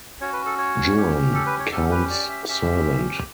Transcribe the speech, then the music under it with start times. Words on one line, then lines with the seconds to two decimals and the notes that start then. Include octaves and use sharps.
Juan: Count’s servant.
0.21 C#4 F#4 C#5
0.33 B4
0.46 A4
0.58 C#5
0.96 C#4 G4
1.34 A4
1.46 B4
1.59 C#5
1.72 C#4 G4 A4
1.91 B4
2.10 D5
2.29 E5
2.48 C#4 G4 E5